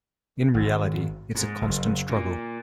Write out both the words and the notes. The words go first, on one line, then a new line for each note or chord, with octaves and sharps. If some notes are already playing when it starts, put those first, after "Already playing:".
In reality, it's a constant struggle.
G#1
G#2
F#1
A#2